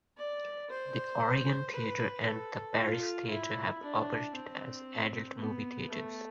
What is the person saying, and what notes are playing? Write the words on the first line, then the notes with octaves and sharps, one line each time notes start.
The Oregon Theatre and the Paris Theatre have operated as adult movie theaters.
D5
C5
B4
A4
F4
E4
D4
C4
B3
A3